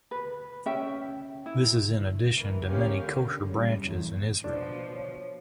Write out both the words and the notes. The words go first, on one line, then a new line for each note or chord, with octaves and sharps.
This is in addition to many kosher branches in Israel.
B4
C#4 E5 G5
E4
C#2 E3 A#4
G#3 B3 C#4 G4 A#4 F5
D3
F#2 C#3 G3
E2 A2 C#3
B2 F3 D4
C#5